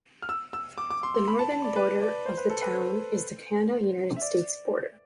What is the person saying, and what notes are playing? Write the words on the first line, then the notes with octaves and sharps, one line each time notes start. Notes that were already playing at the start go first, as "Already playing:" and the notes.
The northern border of the town is the Canada-United States border.
F6
E6
E6
D6
D6
C6
C6
B5
A5
A5
D5
B4
D5
C5
B4
A4
B4
C5
E5
D5